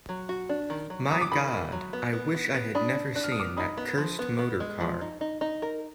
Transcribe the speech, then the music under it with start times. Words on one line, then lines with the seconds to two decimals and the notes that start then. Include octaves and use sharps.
My God, I wish I had never seen that cursed motor-car!
0.09 F#3
0.29 F#4
0.49 D4
0.70 D#3
0.90 F#3
1.11 F#3 D#6
1.21 D6
1.32 D#3 B5 D#6
1.52 D#3
1.72 F#3
1.93 B3
2.13 B3
2.35 B3
2.54 B3
2.75 D4 B5 D#6
2.95 D4
3.16 D4 F#6
3.24 F6
3.32 D#6
3.36 B3 D6 F6
3.57 D#4 B5 D#6
3.78 B3
3.98 F3
4.19 B3
4.39 B3
4.60 G#3
4.81 F3
5.01 D#4
5.21 D#4
5.41 D#4
5.62 A#4